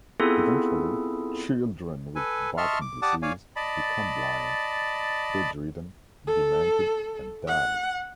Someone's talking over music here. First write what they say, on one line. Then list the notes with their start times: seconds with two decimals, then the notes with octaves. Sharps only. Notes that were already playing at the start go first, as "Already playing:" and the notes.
Eventually, children with Batten disease become blind, bedridden, demented, and die.
0.20 B3 C4 E4 F4 G#4 A4
2.16 A4 B4 G#5
2.57 D#5 E5 A5 C6 C#6 F6
2.81 D6
3.02 G4 D5 F#5 A5 D6 D#6
3.22 C#5 D5 F5 G#5
3.56 D5 D#5 A5 B5
6.27 A4
7.47 F#5